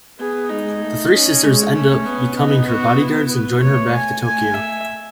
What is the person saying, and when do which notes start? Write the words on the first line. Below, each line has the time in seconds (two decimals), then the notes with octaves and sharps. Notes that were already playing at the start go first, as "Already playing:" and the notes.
The three sisters end up becoming her bodyguards and join her back to Tokyo.
0.19 B3 G#4
0.50 G#3 D#4
0.81 A3
1.13 C#4 D#4
1.43 G#3 C#4
1.74 A3 C#4
2.06 B3
2.36 B3 D#4
2.68 F#4
2.99 E4
3.30 B4
3.61 A3 C#5
3.93 G#5
4.23 A3 G#5
4.54 E5